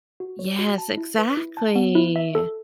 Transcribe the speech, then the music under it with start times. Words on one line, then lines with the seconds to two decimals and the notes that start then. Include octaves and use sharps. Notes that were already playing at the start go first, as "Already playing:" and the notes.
Yes, exactly.
0.20 F#4
0.39 C#5
0.59 F#4
0.78 A5
0.97 E4
1.18 B4
1.37 E4
1.57 A5
1.76 B3
1.95 E4
2.16 E5
2.35 A4